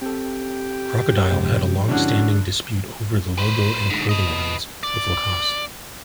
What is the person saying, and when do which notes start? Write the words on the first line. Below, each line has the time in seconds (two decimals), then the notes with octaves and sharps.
Crocodile had a long-standing dispute over the logo and clothing lines with Lacoste.
0.02 C4 G4 A4
1.31 G2 C3 F3 G#3
1.89 D3 C#4 D4 E4 F#4
3.38 B4 C5
3.90 G#2 D3
4.09 B4 D#5
4.83 D5